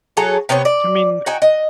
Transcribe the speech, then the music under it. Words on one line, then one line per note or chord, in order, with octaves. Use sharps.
I mean
F#3 G#4 A4 C#5
C3 B3 C5 C#5
D5
D#4 F#4 G5 G#5
D#5